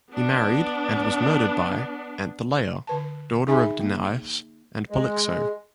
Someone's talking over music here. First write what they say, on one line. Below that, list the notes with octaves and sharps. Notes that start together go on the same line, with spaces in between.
He married and was murdered by Anthelea, daughter of Danaus and Polyxo.
B3 D4
D3 B4 A5
D#4 G#4 E5 G#5 B5
A#3
G#3